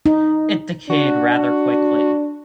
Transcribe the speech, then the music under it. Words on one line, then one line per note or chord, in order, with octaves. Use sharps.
It decayed rather quickly.
D#4
D4 F#4